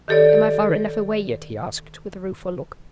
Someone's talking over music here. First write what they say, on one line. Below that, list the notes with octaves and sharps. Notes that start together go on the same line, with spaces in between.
"Am I far enough away yet?" he asked, with a rueful look.
D#3 G4 A4 C#5 D5